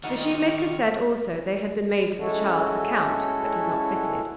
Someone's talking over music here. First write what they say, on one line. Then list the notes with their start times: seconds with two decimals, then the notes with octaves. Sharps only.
The shoemaker said also they had been made for the child of a count, but had not fitted.
0.04 D3 D#3 G3 D#4 F4 F#5 C#6 F6
2.19 G#3 C#4 E4 F#4 A4